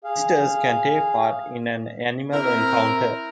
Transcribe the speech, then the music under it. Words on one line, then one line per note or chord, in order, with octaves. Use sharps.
Visitors can take part in an animal encounter.
G#4 F5
C4 E4 A#4